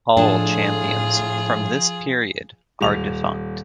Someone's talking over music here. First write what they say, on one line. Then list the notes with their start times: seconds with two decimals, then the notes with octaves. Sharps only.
All champions from this period are defunct.
0.17 A2 F3 D4 F4 G#4 A4
2.81 D#1 F7